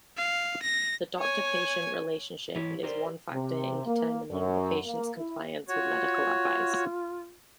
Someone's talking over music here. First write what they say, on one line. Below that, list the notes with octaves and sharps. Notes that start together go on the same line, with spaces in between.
The doctor-patient relationship is one factor in determining the patient's compliance with medical advice.
F5
A#6
C#5 G#5
E3 E4 G4 C#5
G4 A#4 C5 D5
C3
A#3
F#2
A#3
E4
F4 F#4 C#5